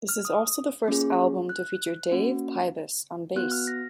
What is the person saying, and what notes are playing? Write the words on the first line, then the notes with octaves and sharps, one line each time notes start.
This is also the first album to feature Dave Pybus on bass.
F6
D#6
A#3 C#4 F4 G#4
F#6
A#3 C#4 F#4
B3 F#4 F#6
F6
A#6